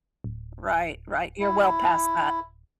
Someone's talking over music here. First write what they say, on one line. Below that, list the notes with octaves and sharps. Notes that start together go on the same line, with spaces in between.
Right, right, you're well past that.
D1
E4